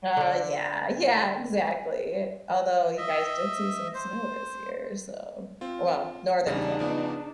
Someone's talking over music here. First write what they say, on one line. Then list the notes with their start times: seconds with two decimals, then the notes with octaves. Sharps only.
Uh, yeah, yeah, exactly, although you guys did see some snow this year, so well, Northern Florida.
0.17 D3 D4
2.97 D#5 E5
3.94 C5
5.61 C4 F4
6.47 E2 C#3 G3 D4 D#4 G#4
6.79 C#3 F3 B3